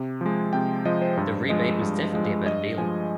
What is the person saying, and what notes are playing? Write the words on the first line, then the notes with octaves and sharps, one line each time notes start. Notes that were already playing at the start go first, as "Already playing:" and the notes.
The rebate was definitely a better deal.
Already playing: C3
F3 G#3
C3 G5
F3 G#3 D#5
C5
G2 C5
F3 G#3 D#5
G2
F3 G#3
G2 D#5
F3 G#3 G#5